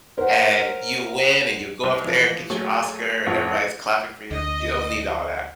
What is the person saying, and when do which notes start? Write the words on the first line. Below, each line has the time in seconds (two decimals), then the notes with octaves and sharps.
and you win, and you go up there, and get your Oscar, and everybody's clapping for you, you don't need all that.
0.18 A#4 C5 C#5 F#5
1.83 C2
2.04 E3 F3
2.50 F#3 A3 G#4 C#5
3.27 A1 F2 F4 C#5 F#5
4.31 D2 D#5